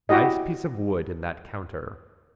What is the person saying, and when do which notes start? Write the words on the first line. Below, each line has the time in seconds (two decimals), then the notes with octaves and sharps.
Nice piece of wood in that counter.
0.09 E4 F#4 G4 D#5